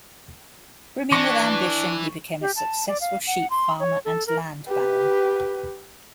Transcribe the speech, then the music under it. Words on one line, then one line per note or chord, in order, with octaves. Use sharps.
Brimming with ambition, he became a successful sheep farmer and land baron.
E3 D4 C#6 A#6 C#7
G4
A5
D5
F5
F#5
C6
C#5
A4
A#4
G4 B4